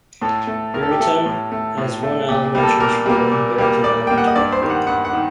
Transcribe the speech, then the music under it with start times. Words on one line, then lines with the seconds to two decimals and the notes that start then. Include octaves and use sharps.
Barryton has one elementary school, Barryton Elementary.
0.22 A2 A4
0.47 A3
0.74 A2 A#4
0.83 A4
0.91 G4
0.99 A3 A4
1.26 A2
1.52 A3
1.78 A2
2.03 A3
2.28 A#2 G4
2.55 G3 A#3
2.63 A4
2.80 A#2 A#4
3.06 G3 A#3
3.32 A#2
3.58 G3 A#3
3.84 A#2 D5
4.07 G3 A#3 G5
4.18 F#5
4.27 D#5
4.35 G2 D5
4.52 C5
4.62 D#3 G3 A#3
4.70 F#5
4.87 G2 F#5
5.05 F#5
5.13 D#3